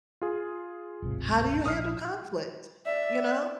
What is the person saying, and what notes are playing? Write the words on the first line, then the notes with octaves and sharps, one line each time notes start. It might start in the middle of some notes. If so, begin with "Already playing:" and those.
How do you handle conflict, you know?
F4 G#4
D1 G#1 C3
A#1 D#6 F6 C7
D5 E5